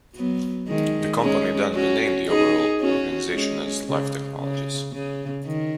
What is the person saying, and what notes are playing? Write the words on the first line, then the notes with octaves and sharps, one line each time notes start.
The company then renamed the overall organization as Life Technologies.
F#3 B3
D#3 G#3
G#3 C#4
C#4 F#4
D#4 G#4
C#4 F#4
G#3 C#4
C#3
C#3
C#3
D#3